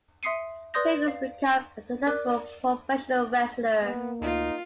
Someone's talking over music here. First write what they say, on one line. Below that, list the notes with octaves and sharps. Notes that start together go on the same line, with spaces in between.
Hercules becomes a successful professional wrestler.
E5 C6 D#6 C7 C#7 D#7
B4 D5 C6 D#6 G6 A#6
F5
A#4 D5 D6 F#6
A#3 B3
D2 D#4 F4